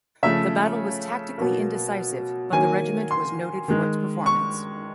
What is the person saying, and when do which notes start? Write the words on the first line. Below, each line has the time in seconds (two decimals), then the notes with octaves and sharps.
The battle was tactically indecisive, but the regiment was noted for its performance.
0.23 C#3 F3 A3 E5
1.38 B2 F#3 A#3
2.52 D#3 F#3 A#3 G#5
3.11 C6
3.68 D#3 G#3
4.26 C#6